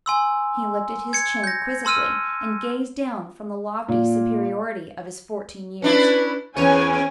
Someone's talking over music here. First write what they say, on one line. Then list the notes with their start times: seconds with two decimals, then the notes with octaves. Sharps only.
He lifted his chin quizzically, and gazed down from the lofty superiority of his fourteen years.
0.06 G#5 C6 E6
1.13 G#6 C#7
1.44 G6 A#6
1.85 A5 C6 E6 F6 D#7
3.88 A#2
5.82 C#4 D4 E4 B4
6.57 E2 C#4 B4 C#5 G#5